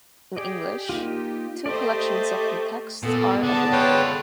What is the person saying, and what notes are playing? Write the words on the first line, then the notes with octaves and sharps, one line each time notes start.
In English, two collections of the texts are available.
G4 G#4 D5 D#5
A#3 D#4 F4
A3 G4 C5 D5 D#5 C6
A#2 B3 A4
D3 G#4 D5 A5
D3 F4 B4 C#5 G5